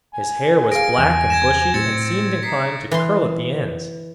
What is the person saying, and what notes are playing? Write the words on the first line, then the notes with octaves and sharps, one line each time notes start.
His hair was black and bushy and seemed inclined to curl at the ends.
G#5
G#4 F5 A#6 D7
E2
G#6 A#6 E7
A2 C4 G#6 A6 C#7
D#4 B6 C7
E3 C6